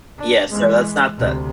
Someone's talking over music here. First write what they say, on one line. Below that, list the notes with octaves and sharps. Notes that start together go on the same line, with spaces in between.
Yeah, so that's not the
D4
E3 G#3
D2 C3